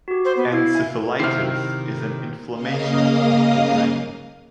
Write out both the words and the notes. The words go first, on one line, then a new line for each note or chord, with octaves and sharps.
Encephalitis is an inflammation of the brain.
F#4 G4
C5
B3
E4 F5 E6 C7
E5 G#5
C3 D#3 E4 G4 C5 F5 F6 C7
C#3 A#3 D#5 F5 D#6